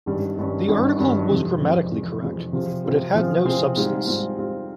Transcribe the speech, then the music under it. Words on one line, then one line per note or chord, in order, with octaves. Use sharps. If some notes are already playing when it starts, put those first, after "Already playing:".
The article was grammatically correct, but it had no substance.
G#1 G2 G3 C#4
G#1 G2 G3 C#4
G#1 G2 G3 C#4
G#1 G2 G3 C#4
F2 C3 F3 G#3
F2 C3 F3 G#3
F2 C3 F3 G#3
F2 C3 F3 G#3
C3 F3 C4 F4 G#4
C3 F3 C4 F4 G#4
C3 F3 C4 F4 G#4
C3 F3 C4 F4 G#4
G#2 G3 C4 F4
G#2 G3 C4 F4
G#2 G3 C4 F4